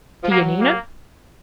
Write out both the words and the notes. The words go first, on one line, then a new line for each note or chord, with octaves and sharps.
"To Yanina?"
F3
F#3 A#3
A#3